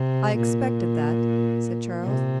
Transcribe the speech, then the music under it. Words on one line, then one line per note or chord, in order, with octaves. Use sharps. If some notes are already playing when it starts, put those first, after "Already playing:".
"I expected that," said Charles.
Already playing: C3
A#2
C3